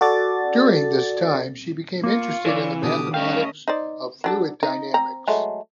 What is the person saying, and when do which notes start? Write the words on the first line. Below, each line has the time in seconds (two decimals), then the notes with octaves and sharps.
During this time she became interested in the mathematics of fluid dynamics.
0.01 F#4 A4 D5 A6
2.04 A#3 F4 C#6
2.45 E3 A4 C#5 D5
2.83 B2 D3 G4 D6 D#6
3.14 G3 A3 C#4 D#5 F5 G5
3.68 D#4 C5 D5
4.24 F#3 D4 A4
4.63 D#4
4.94 C4 A#5
5.27 F#3 G#3 A3